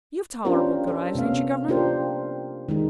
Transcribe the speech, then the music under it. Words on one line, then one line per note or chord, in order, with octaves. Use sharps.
'You've tolerable good eyes, ain't you, Governor?
C#4 D4 F4 G4 A#4 C5
A4
C3 B3 C#4 F5
A#3 D4 F4 G4 A#4 C5
D#3 G#3 D#4